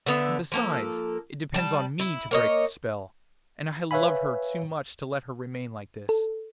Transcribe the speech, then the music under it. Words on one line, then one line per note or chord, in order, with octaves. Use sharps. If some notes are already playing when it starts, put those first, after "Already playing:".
And besides, it depends on me to break the spell, and I love her too much to let her remain like this.'
D3 B3 E5
F3 A#3 A4
G3 A5
E4
A#3 C#5 D#5
B4 C#5 E5 F5 G#5 B5
A4